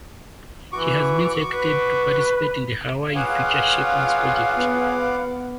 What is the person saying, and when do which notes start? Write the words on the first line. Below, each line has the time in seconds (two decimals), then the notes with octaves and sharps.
She has been selected to participate in the Huawei Future Shapers Project.
0.72 E3 F#4 C#6 D6
1.53 B4
3.15 F4 G#4 B4 C#5 F5 F#5 D6
4.56 B3